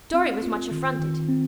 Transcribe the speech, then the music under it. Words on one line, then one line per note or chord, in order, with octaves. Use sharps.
Dorry was much affronted.
C4
F4
D#3
D#3
C4